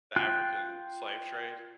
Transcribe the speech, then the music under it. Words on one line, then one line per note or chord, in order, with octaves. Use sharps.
the African slave trade,
F4 G5 F#6